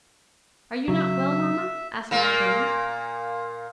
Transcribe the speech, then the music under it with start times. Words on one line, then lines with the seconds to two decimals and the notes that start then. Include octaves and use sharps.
"Are you not well, mamma?" asked Magdalen.
0.88 C#3 F#3 E5
2.11 A#2 A#3